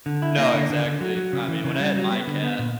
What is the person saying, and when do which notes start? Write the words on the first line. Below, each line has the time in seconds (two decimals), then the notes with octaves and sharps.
No, exactly. I mean, when I had my cat,
0.06 D3
0.22 E4
0.38 A#3
0.54 D3
0.70 D3
0.85 D3
1.01 F#3
1.17 F#3
1.33 C#3
1.48 E3
1.64 C#3
1.80 G3
1.95 F#3
2.12 B3
2.27 D3
2.42 B3
2.59 A#2